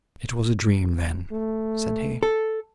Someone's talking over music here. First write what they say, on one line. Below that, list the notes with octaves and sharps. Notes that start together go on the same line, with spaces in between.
'It was a dream, then,' said he.
A3
A4